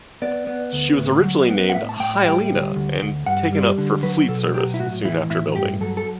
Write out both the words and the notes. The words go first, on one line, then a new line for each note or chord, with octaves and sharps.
She was originally named "Hyalina" and taken up for Fleet Service soon after building.
B3 D5
B3
D2
A2
F#3
B3
F#5
A2 E5
A5
A2 G5
G3 G5
D2
D2
D2
G2 F#5
G3
D3
F#3 B4
B2 A4
F#3 G4
E4
A2 F#4
E3 E4
A2 E4
G2 G4
F#3 A4
A4